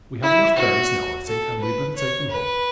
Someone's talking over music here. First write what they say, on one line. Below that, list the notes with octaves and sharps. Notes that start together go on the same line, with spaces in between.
We have enough berries now, I think, and we had better take them home.
E4
F#4
A4
B4
C#5
B4